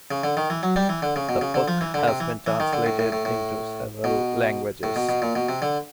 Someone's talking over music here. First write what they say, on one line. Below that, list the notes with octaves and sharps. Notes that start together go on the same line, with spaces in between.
The book has been translated into several languages.
C#3
D3
D#3
E3
F#3
G3
E3
D3
C#3
B2
C#3
D3
F3
E3
D3
C3
E3
E3
D#3
D3
A2
A2
A2
A2
B2
A2
B2
B2
A#2
B2
C3
D3